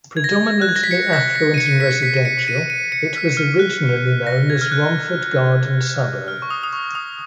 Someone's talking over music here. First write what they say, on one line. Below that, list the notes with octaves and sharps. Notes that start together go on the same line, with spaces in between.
Predominantly affluent and residential, it was originally known as Romford Garden Suburb.
G#6
A#6
F#6
G#6
A#6
B6
C#7
A#6
B6
D#7
C#7
B6
B6
D#7
C#7
C#7
D#7
D#7
C#7
B6
F6
F#6
A#6
G#6
F6
F#6
F6
C#6
D#6
D#6
C#6
D#6